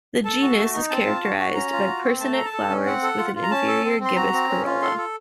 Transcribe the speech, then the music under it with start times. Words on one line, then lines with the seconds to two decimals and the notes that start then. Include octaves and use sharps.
The genus is characterized by personate flowers with an inferior gibbous corolla.
0.25 A4 A5
0.41 F#4
0.57 A3
0.74 D#4
0.90 C4 A5
1.06 F4
1.23 F#4
1.39 F#4
1.55 C#4 A#5
1.72 F4
1.87 F#4
2.04 C4
2.20 A3 A5
2.33 A4 A#5
2.45 A5
2.53 A4
2.69 C#4
2.86 C4 F#5
3.03 A4
3.18 F4
3.35 F4
3.43 A#5
3.51 C#4 A5
3.67 A4
3.84 C4
3.99 C4
4.05 C6
4.16 F#4 A#5
4.33 C4
4.49 C#4
4.65 F4
4.82 A4 C6
4.98 A4